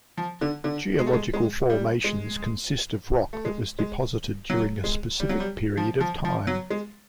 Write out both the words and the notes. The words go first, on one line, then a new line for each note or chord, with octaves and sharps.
Geological formations consist of rock that was deposited during a specific period of time.
F3
D3
D3
G#3
A3
G#3
G#3
G3
G#3
A3
G#3
G#3
F#3
G#3
G3
F#3
G3
F3
F3
F3
F#3
G#3